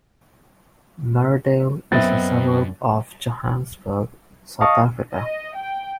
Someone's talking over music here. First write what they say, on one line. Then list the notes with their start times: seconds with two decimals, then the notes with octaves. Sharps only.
Meredale is a suburb of Johannesburg, South Africa.
1.92 F#2 B3 C4 B4 D#5 E5 A6
4.61 D#5 F5 A5 C#6
5.13 D#5
5.56 G5